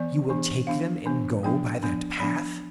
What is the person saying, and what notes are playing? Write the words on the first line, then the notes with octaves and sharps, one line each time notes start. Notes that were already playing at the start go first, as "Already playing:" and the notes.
"You will take them and go by that path?"
Already playing: E3 B3 D5
E3 B3 D4
E3 B3 D4 F5
E3 B3 D4
F3 B3 D4 G5
F3 B3 D4
F3 B3 D4 B5